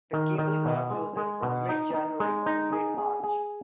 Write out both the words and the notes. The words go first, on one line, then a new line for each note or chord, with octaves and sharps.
The cablecar closes from mid January to mid March.
D#3
D#3
B2
G#3
G#3
B2
D#4
D#4
G#3
D#4
G#4
G#4
G#4